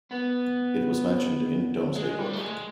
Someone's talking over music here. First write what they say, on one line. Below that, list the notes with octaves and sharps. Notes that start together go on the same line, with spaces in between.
It was mentioned in Domesday Book.
B3
G#3
G3
A3
G#3